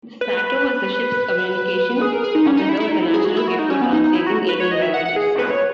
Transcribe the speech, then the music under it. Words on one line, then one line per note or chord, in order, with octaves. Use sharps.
Sato was the ship's communications officer, with a natural gift for translating alien languages.
B4
G#4
A#4
G#4
D#4
C#4
D#4
E4
E4
D#4
E4
G#4
F#4
E4
F#4
D#4
C#4
B3
D#4
D#4
E4
F#4
B4
C#5
D#5
E5
F#5
F#5
G#4
B4
C#5